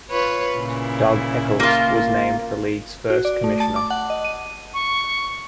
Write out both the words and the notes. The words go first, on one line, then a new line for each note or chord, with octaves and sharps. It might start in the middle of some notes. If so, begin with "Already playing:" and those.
Doug Echols was named the league's first Commissioner.
F4 B4 C#5
A#2 C#3 E4
A#3 F4
F#4
D5
A3
A5
D6
F#5
D#5
D#7
C#6